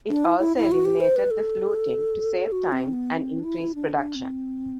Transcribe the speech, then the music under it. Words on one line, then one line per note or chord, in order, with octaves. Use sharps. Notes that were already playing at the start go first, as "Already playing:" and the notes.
It also eliminated the fluting to save time and increase production.
D4
E4
E4
E4
F#4
G4
C5
B4
A4
F#4
C4
B3
C4
D4
E4
D4
D4
C4